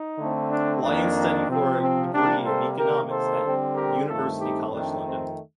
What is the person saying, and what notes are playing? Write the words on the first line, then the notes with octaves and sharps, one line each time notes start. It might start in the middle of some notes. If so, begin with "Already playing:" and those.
Lyons studied for a degree in Economics at University College London.
Already playing: D#4
D3 A3 C4
D4
F2 D#3 A#3 D4
C3 F3 C4
C4
C3 G3 A#3 D4
A4 C5
C3 D#3 A#3 G4 A#4
A4 C5
D3 G3 C4
G4 A#4
G2 D#3 A3 C4 F4 A4
D#4 G4
F2 D#3 A3 C4 D4
C4